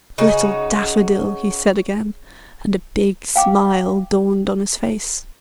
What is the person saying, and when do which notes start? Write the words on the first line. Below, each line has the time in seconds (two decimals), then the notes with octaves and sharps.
"Little Daffodil!" he said again, and a big smile dawned on his face.
0.18 C#3 D#4 F#4
3.36 F5 G5 D6